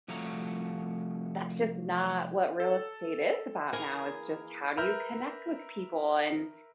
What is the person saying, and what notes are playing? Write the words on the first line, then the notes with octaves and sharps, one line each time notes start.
"That's just not what real estate is about now. It's just how do you connect with people and,
C2 F3 A3 F#4 C#5 A#5
A4
E3 A#3 G#4 A#4 G#5 A#5
A#4 B4 E5 A#5 F6 G6